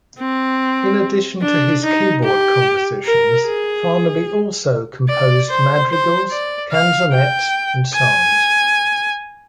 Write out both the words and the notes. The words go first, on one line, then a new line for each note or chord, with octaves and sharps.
In addition to his keyboard compositions, Farnaby also composed madrigals, canzonets and psalms.
C4
D4
D#4
G4
A#4
G#4
D5
C5
C5
D5
F5
G5
G#5